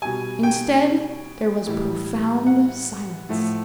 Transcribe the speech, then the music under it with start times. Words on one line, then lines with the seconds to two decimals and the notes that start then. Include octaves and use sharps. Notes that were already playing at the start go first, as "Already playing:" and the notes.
Instead there was profound silence.
0.02 B2 G3 G#5
0.43 G5
1.66 A2 E3 G3
2.47 F#5
3.29 A2 F3 A3